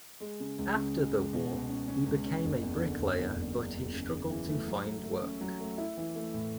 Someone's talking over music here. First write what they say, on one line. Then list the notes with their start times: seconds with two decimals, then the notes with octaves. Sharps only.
After the war he became a bricklayer but he struggled to find work.
0.20 G#3
0.40 C#3
0.58 C#2
0.76 C#3
0.96 G#3
1.13 G#3
1.33 B2
1.51 C#2
1.69 C#4
1.88 C#4
2.06 C#2
2.25 C#4
2.44 F#1
2.62 E2
2.81 D3
3.00 F#1
3.18 E2
3.37 F#1
3.55 E2
3.74 E2
3.93 C#3
4.11 C#3
4.30 E3
4.48 A3
4.67 F#3
4.86 A3
5.04 A3
5.23 C#4
5.41 F#3
5.60 A3
5.78 E4
5.97 E3
6.16 A3
6.34 A2